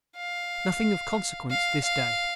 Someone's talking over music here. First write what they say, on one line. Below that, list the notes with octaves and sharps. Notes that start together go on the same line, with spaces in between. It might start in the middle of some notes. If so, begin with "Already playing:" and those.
Nothing of consiquence this day.
F5
F5
F5